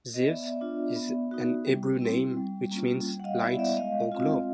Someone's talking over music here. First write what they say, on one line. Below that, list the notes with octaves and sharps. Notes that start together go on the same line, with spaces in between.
Ziv is a Hebrew name, which means "light" or "glow".
D#5
B3 D5 E5
D4 F4
B3
D#4 F#4
G3
C4 E4
G3
A#3 C#4 F4
G3
F#5
D#5 F5
B3 E4 D5 E5
D5 E5
G#3 D#5 F5
C4 F4